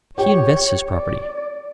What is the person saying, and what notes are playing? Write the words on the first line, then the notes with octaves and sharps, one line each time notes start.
He invests his property.
G4 C#5 G5
D5